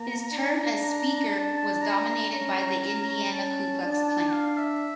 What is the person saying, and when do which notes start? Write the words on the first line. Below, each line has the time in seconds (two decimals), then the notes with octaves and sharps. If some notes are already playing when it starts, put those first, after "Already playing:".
His term as Speaker was dominated by the Indiana Ku Klux Klan.
Already playing: A#3 A#5
0.31 D4
1.32 A5
1.57 A5
1.74 A5
1.82 A#5
2.32 C#4 A#5
3.24 A#5
3.32 C#4 A5
3.82 D4
4.32 F5
4.58 E5